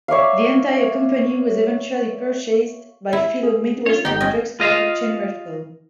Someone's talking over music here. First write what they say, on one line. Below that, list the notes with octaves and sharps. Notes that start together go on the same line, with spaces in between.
The entire company was eventually purchased by fellow Midwestern drugstore chain Revco.
C#5 D5 E5 F5
E4
G#4
C#4 D4 F4 C#5
G1 B3 D#4 G4 G5
C#4 D#5
F4 D#5 F5